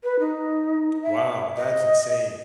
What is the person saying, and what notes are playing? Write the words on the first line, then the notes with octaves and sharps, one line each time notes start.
Wow, that's insane.
B4
D#4
E5
D#5